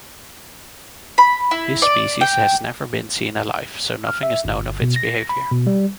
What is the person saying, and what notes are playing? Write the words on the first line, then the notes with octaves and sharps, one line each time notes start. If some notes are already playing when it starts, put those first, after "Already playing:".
This species has never been seen alive, so nothing is known of its behavior.
B5
E4
D5
G5
F6
E5
G1
B2
A#6
B5
B2
G3